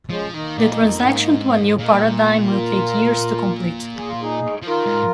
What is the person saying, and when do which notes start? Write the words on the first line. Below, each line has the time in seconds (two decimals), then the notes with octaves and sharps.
The transaction to a new paradigm will take years to complete.
0.09 F3 G#3 C#4
0.34 D#3 A#3 D#4
0.58 A#2
0.82 F2
1.06 G#2
1.74 C#4
1.78 A#2 A#3 D#4
2.51 F4 A#4
3.96 G#4
4.08 F4
4.22 D#4 G#4
4.62 F3
4.67 D#3 F4 A#4
4.86 G#2